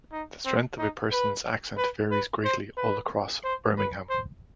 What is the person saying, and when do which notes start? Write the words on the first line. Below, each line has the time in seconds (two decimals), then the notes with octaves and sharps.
The strength of a person's accent varies greatly all across Birmingham.
0.13 D#4
0.45 C4
0.78 D#4
1.12 B4
1.78 B4
2.11 B4
2.45 C5
2.77 B4
3.44 C5
3.78 B4
4.10 C5